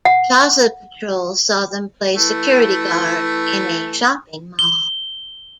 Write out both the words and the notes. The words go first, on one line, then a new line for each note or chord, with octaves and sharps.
"Plaza Patrol" saw them play security guards in a shopping mall.
F#5
E3 A3
G7